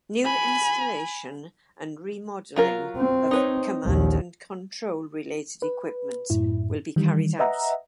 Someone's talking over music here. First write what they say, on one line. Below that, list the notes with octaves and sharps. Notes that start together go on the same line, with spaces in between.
New installation and remodeling of command and control related equipment will be carried out.
G#5 B5
F#3 F4 A#4
C4
D#4 B4 C#5
A#1 D#2
B4
F#2 A2 E4
D#3 E3 G3
B4 D#5 E5 F#5 A#5